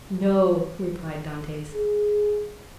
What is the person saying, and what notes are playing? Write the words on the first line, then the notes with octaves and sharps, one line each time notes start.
"No," replied Dantes.
G#4